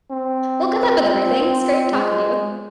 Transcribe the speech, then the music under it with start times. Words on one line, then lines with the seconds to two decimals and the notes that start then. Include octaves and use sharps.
well, good luck with everything. It's great talking to you.
0.11 C4
0.65 F4
1.91 G#3